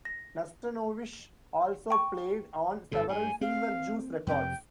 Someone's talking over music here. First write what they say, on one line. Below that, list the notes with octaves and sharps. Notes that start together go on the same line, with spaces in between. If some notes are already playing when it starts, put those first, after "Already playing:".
Nastanovich also played on several Silver Jews records.
A#6
G5 C#6
G1 F#2 B2 A4
G2 G#5
C4 F5
F2 C3 G5